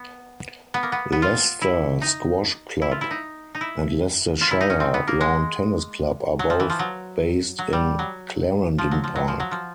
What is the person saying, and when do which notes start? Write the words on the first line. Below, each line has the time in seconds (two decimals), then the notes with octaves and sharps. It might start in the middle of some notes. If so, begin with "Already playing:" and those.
Leicester Squash Club and Leicestershire Lawn Tennis Club are both based in Clarendon Park.
Already playing: B3
0.74 B3
0.83 A#3
0.92 B3
1.12 B3
1.22 F4
1.62 E4
2.02 D#4
2.82 E4
2.91 F4
3.01 E4
3.11 D#4
3.55 D#4
3.61 E4
4.41 F4
4.51 E4
4.61 D#4
4.70 C#4
4.80 C4
4.94 B3
5.07 A#3
5.21 G#3
6.39 F#3
6.50 F3
6.60 E3
6.70 F3
6.79 F#3
7.59 F#3
7.73 G3
7.99 F#3
8.78 F3
8.91 F#3
9.04 F3
9.16 F#3
9.28 F3
9.40 F#3
9.51 F3